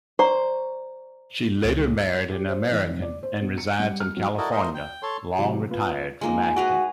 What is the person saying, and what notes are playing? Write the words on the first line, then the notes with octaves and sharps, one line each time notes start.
She later married an American and resides in California, long retired from acting.
C5 D5 A#5 C#6
C#2
G4
C5
E3
F1
D5
C5
B2
C#7
G3
F6
F#3
E4 F#4 A4 A#4 D5 D#5
A3 A#4 C5 D#5
G5
A4 C#5 C6
C3 E3 F#3
B3 F4
G#3 A#3 D#4 F4
F#4 G#4 B4 D#5 D7 F7